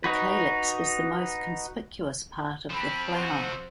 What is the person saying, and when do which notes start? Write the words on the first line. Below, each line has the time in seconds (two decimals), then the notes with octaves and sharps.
The calyx is the most conspicuous part of the flower.
0.04 D#4 F#4 B4
2.70 F3 C4 B5
3.14 F#4 C5